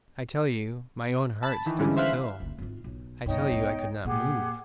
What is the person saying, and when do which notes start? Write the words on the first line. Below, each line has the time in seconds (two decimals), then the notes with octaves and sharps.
I tell you, my own heart stood still; I tell you I could not move.
1.43 A5 B5
1.66 D#3 E3
1.78 D3 E3 G3 G#3 C#4 E4
1.97 C5 E5 F5 F#6
2.40 F#1 D2
2.58 G#1 F4
2.84 B1
3.26 G2 B2 D#4 C#5 G5
3.50 B1 G#2
4.05 A#2 G4 G#4 F#5